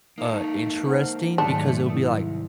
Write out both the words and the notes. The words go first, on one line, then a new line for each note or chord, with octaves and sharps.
uh, interesting because it'll be, like,
A#3 D#4 A4 C#5
C5 F#5 F6
G#2 D#3 F#3 A3 D4 A5 F6 F#6
B2 E4
C2